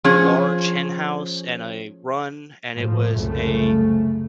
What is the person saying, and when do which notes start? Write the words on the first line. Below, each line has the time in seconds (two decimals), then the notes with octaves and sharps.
large hen house and a run, and it was a
0.04 F3 C#4 G#4 C#5
2.75 A2 F3
3.13 C2 F#2 C#3 A3